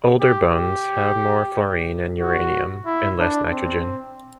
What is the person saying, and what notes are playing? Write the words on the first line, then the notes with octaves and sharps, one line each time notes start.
Older bones have more fluorine and uranium and less nitrogen.
G4
G4
F#4
E4
D4
C4